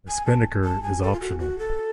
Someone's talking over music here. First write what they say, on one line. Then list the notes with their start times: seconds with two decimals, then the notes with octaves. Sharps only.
A spinnaker is optional.
0.08 G#5
0.26 A5
0.64 A5
0.82 G#5
1.02 A4
1.13 F4
1.20 F#4
1.39 F#4
1.59 A4